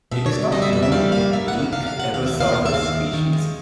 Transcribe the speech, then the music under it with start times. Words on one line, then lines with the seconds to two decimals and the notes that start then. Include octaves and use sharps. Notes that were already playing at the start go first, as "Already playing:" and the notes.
It is not known if Meek ever saw this species.
0.12 B2 E5
0.26 C#5
0.32 B2 D5
0.52 G3 D#5
0.62 E5
0.72 F2 E5
0.83 E5
0.92 G3 F5
1.12 A#3 F5
1.33 C3 E5
1.48 F#5
1.53 F2 F5
1.72 C3 F5
1.87 F5
1.93 C3
1.99 F#5
2.13 D#2 F5
2.26 E5
2.34 D#2
2.40 F5
2.53 D#2 F#5
2.66 E5
2.73 D#2 F5
2.93 G#3
3.13 D#3
3.33 G#3